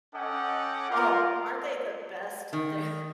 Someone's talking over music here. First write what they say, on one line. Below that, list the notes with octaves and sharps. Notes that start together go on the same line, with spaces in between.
Oh, aren't they the best? They're
C#4 A4 D#5 F#5 G5 D6
F4 A#4
D#3